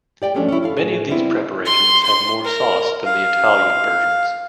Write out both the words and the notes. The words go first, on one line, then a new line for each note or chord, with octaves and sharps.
Many of these preparations have more sauce than the Italian versions.
G4 D5 G5
F3 G#3 A3 C#4 D4 F#4
C#4 E4
E4 A4 F5
A2 G#4
G3 B3 C4 E4
C6
C6
A#4
F5